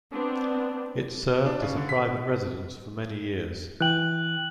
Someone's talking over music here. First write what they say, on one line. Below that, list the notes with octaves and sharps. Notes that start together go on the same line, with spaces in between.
It served as a private residence for many years.
B3 C4 D4
D4
C#3
D3
B6
E3 G5 F#6 F#7